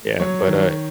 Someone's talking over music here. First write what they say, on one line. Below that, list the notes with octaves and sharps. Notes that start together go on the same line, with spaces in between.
yeah, but uh
F#3 C#5
D#3